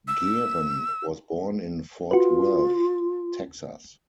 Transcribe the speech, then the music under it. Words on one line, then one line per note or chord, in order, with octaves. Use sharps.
Geren was born in Fort Worth, Texas.
E6
F4 F#4 B4